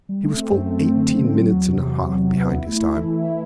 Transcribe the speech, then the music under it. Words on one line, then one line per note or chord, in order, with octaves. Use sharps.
He was full eighteen minutes and a half behind his time.
G3
A3
C4
F#2
A3
C4
D3
F#2
C4
F#3
E2
C3
C3
E2
F#3
F#3
B3
E4
A3
E4
E3
E4
E4